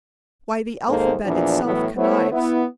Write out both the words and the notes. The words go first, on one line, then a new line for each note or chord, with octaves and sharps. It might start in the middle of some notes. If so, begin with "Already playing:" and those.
Why, the alphabet itself connives.
D#2 G#2 A#3 A4 C5
E2 A#2 E3 F3 D4
A2 E3 F#3 B3 E4
A3 B3 E4 C5 C#5
B3 E4